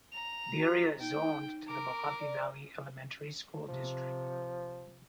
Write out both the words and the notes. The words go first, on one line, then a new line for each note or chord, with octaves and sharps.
The area is zoned to the Mohave Valley Elementary School District.
A#5 F7
F#4
D#4 G5
A#4 D6
D5
C3 F3